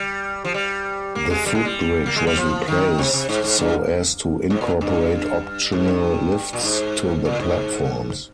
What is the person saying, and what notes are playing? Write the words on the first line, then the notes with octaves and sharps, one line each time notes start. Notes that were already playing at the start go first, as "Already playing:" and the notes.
The footbridge was replaced so as to incorporate optional lifts to the platforms.
Already playing: G3
F3
G3
A#3
G#3
G3
G#3
G3
A#3
G#3
G3
F3
D#3
C3
C3
G#2
G#2
G2
G#2
A#2
G2
G#2
G2
A#2
G#2
A#2
G#2